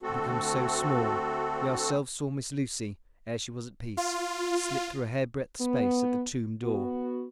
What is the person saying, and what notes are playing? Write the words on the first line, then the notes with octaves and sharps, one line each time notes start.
He become so small--we ourselves saw Miss Lucy, ere she was at peace, slip through a hairbreadth space at the tomb door.
D2 A3 C4 F#4 A4
F4
B3
B3 F#4